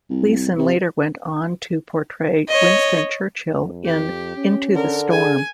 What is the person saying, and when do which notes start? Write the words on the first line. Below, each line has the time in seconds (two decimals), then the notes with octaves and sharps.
Gleeson later went on to portray Winston Churchill in "Into the Storm".
0.10 C2
0.58 C3
2.49 C#5 D#5
3.55 F2
3.85 G4
4.36 C#4
4.75 D3 A#4
5.11 G#4 G#5